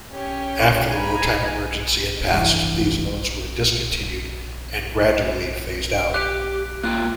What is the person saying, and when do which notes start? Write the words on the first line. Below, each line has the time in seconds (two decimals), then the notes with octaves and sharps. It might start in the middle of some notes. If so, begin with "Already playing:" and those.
After the wartime emergency had passed these notes were discontinued and gradually phased out.
0.11 C#4 G4 C#5
0.89 G#5 A#5 B5
2.31 F1 G2 C3 E3
5.92 D7
6.14 G4 F#6
6.84 A#3 F4 G5 F#6